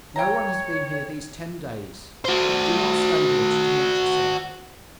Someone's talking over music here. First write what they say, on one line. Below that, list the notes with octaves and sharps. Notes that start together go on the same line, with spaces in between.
No one has been here these ten days. Do not stay here to torment yourself.
C#5 G5 A#5
F#4 C5